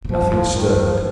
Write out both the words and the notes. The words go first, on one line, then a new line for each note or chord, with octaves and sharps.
Nothing stirred.
C3
A#2 F3
G2
A2 F3
G2 D#3
G2 F3